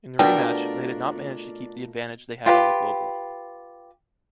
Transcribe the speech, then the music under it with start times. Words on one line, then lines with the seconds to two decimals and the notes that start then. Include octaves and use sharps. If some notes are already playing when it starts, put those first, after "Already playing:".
In the rematch, they did not manage to keep the advantage they had on the global.
0.19 B2 A3 D4 F4 A#4 G5
2.46 F4 G4 B4